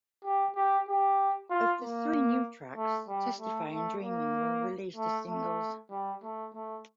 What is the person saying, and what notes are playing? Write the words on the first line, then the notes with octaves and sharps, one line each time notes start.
Of the three new tracks, "Testify" and "Dreaming" were released as singles.
G4
G4
G4
F4
A#3
A3
G3
A3
A3
A#3
A3
A3
G3
A3
A3